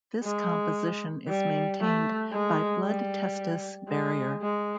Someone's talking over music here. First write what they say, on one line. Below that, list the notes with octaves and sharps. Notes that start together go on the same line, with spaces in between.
This composition is maintained by blood-testis barrier.
G#3
G3
A3
G#3
G3
G#3
G#3